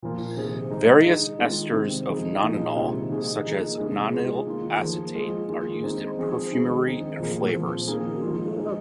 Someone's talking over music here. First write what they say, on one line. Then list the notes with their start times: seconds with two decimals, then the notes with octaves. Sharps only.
Various esters of nonanol, such as nonyl acetate, are used in perfumery and flavors.
0.02 A#2 F3 A#3 F4
0.36 C3 D#3 C4 G#4
0.71 D#3 G#3 D#4
1.05 G#3 D#4 G#4
1.39 D#3 G#3 F4 G#4
1.73 C3 D#3 G#3 C4
2.08 F3 G#3 D#4 G#4
2.41 A#2 F3 A#3 D#4 G#4
2.76 C3 D#3 G#3 F4
3.10 D#3 A#3 D#4 G#4
3.44 F3 A#3 D#4 G#4
3.78 C3 G#3 D#4 G#4
4.12 G#3 F4 G#4
4.46 D#3 A#3 F4
4.80 F3 A#3 G#4
5.15 G#3 F4 G#4
5.48 D#3 A#3 F4 G#4
5.82 G#3 C4 D#4 G#4
6.17 F3 C4 G#4
6.52 D#3 G#3 D#4 G#4
6.85 D#3 C4 D#4 G#4
7.19 A#2 F3 A#3 G#4
7.54 A#2 F3 C4 F4
7.88 D#3 A#3 G#4
8.22 F3 G#3 F4
8.56 G#3 D#4 G#4